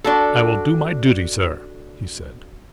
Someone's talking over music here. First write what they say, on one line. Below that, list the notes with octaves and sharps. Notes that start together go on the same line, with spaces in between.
"I will do my duty, sir," he said.
D4 F#4 A4